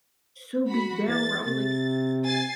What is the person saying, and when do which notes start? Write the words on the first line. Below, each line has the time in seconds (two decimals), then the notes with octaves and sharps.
so beat down where I was like,
0.69 F#4 B5
1.08 E2 A6
1.46 C3 A6
2.25 G#5 A6 C7